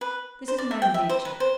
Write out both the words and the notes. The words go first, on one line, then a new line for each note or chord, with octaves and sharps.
This is Mame Beecher.
B4
C5
D5
E5
G5
E5
C5
B4
C5